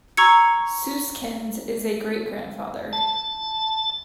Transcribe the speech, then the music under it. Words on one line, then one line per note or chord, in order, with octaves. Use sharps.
Susskind is a great-grandfather.
A#5 C#6 E6 G#6 C#7
A5